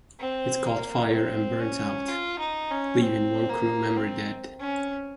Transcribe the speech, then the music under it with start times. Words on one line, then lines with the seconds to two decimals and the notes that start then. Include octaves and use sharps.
It caught fire and burned out, leaving one crew member dead.
0.20 C4
0.66 A#3
1.14 C4
1.61 C#4
2.08 F4
2.39 D#4
2.71 C#4
3.02 C4
3.49 A#3
3.97 C4
4.60 C#4